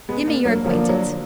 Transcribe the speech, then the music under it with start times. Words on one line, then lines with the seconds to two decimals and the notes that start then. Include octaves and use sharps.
Give me your acquaintance.'
0.09 G#3 B3
0.27 A#3 D4
0.45 F#3 A#3
0.64 D3 F3 F#3 A#3 D4 F4
0.89 F#3